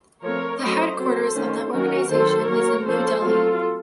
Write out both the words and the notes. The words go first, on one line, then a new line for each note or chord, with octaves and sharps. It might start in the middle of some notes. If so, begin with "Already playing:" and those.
The headquarters of the organisation is in New Delhi.
F3 A3 C4 A#4 C#5
F#3 A3 C#4 C5 D#5
F#3 C4 A4 C5
D#3 A3 C#4
D#3 F#3 A#3 C#4 F#4 A#4
D#3 F#3 C4 A4 C5
F#3 A#3 C#4 A#4 C#5
F3 A#3 C#4 A4 C5
F#3 A3 C4 F4 A4